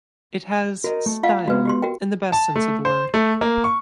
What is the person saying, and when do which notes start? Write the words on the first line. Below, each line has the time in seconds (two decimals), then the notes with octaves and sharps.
It has style in the best sense of the word.
0.84 F#4 A#4 D#5
1.06 A3
1.23 F4 F5 F#5
1.48 G#3 B3 F#4 B4
1.65 F#4 G4 C6
1.82 F#4 A#4 G5
2.32 A5
2.56 A3
2.85 C5
3.14 A3
3.41 A#3
3.64 C#6